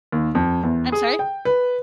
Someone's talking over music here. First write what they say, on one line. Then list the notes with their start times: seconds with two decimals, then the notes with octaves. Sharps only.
I'm sorry?
0.12 D#2
0.35 F2
0.63 E2
0.92 G#4
1.19 G5
1.45 B4